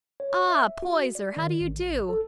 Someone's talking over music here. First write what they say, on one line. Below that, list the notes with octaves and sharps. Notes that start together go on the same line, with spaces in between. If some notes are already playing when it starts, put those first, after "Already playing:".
Ah, Poyser, how do you do?
C#5
E5
F#4
D5
D#3
A1
A4